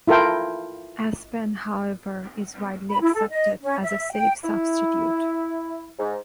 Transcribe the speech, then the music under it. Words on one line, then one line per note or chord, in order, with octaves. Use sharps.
Aspen however is widely accepted as a safe substitute.
E4 F4 A4 A#4 G5
B5
E4
A4
D#5
C#4
E5
G5
E4
G#2